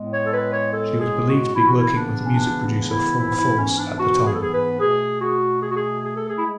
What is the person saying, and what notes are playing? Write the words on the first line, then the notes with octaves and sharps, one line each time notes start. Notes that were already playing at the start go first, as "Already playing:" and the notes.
She was believed to be working with music producer Full Force at the time.
Already playing: A2 G#3 B3
C#5
A4
B4
C#5
A4
G#4
F#4
C#3 E3 B3 E4
F#4
E4
D4
C#4
D4
D4
E4
G#2 E3 B3 E4
E4
C#4
D4
F#4
G#4
A4
G#4
B4
B2 A3 G#4
F#4
G#4
F#4
G#4
G#4
A4
G#4
E4
G#3